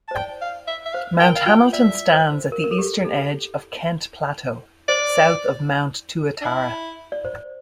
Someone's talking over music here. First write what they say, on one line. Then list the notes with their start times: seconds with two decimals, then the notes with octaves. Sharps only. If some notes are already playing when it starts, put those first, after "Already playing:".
Mount Hamilton stands at the eastern edge of Kent Plateau, south of Mount Tuatara.
0.08 A5
0.11 C5
0.15 D5 G5
0.41 F5
0.67 E5
0.86 E5
0.94 C5 F5
1.20 A#4 G5
1.36 F5
1.46 F4 G5
1.73 D5 E5
2.12 C5
2.52 A#4
2.64 A#4
2.71 A4
2.78 G4
3.05 A4
4.88 C5 D5
6.41 D4
6.46 E4
7.12 D5
7.25 C5